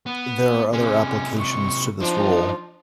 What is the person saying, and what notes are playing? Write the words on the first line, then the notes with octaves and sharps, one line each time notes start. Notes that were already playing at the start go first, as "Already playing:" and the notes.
There are other applications to this rule.
B3
C3 G#3 C#4
C#6
F3 D4 D#4 F4